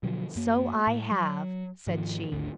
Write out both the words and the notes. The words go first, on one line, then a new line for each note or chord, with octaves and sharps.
"So I have," said she.
B2 D3 F3 F#3
F#2 A#3
A2
F#3
G#2 D#3 F3
G#1 D2 D3